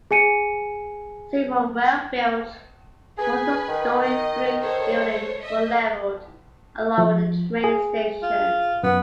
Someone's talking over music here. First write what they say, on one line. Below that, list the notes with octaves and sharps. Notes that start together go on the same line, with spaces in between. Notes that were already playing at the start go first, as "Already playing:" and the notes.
Several well-built, multi-story brick buildings were leveled, along with a train station.
G#4 G#5 C#7 D#7
G#4 B4 G#5
D#3
D#5
A4 C5 C#5
D#5 E5
F3
G#4
F4
F#2 B3